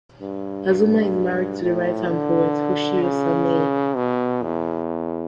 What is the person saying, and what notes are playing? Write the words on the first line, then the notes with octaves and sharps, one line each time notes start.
Azuma is married to the writer and poet Hoshio Sanae.
G2
G2
A2
D3
C#3
B2
E2